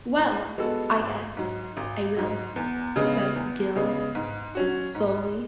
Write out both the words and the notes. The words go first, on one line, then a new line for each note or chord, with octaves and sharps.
"Well — I guess — I will," said Gill slowly.
A2
G#3 B3 F#4 A4
G#1
G#2 F#3
G#1
G#2 F#3
E2
C#3 G#3 B3
E2
C#3 G#3 B3
G#2
F#3 C#4 F#4
G#2